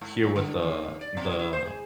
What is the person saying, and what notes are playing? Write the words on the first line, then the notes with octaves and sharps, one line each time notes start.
here with the the
G#2
F#3
D3
D#2
D5
B2
E4
C5
G#4